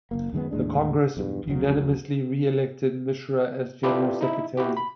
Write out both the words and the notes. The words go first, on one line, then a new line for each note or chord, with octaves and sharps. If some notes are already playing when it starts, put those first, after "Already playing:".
The congress unanimously re-elected Mishra as General Secretary.
F#1 A#3
F#2 D#3 G#3 B3
D#2 A2 G#3 D4
B1 E2 G2
F1 D2 C#3 F#3
E4 F4 G4 A4 B4 D5
D#4 E4
E4 F#4 G4
B5